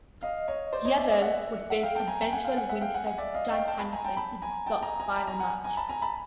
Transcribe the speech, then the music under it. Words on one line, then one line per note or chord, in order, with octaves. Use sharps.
Yvel would face eventual winner Dan Henderson in his block's final match.
D#5 F5
C#5 D#5
C5 D5
C#5 D#5
D5 E5
D5 E5
E5 F#5
E5 F#5
F5 G5
G5 A5
G#5 A#5
G5 A5
F#5 G#5
F5 G5
F#5 G#5
E5 F#5
F5 G5
F#5 G#5
F#5 G#5
D5 E5
D#5 F5
F5 G5
G5 A5
A5 B5
G#5 A#5
G5 A5
A5 B5
G#5 A#5
G5 A5
G#5 A#5
G#5 A#5
A5 B5
G#5 A#5
F#5 G#5
G#5 A#5
A5 B5
G#5 A#5
A5 B5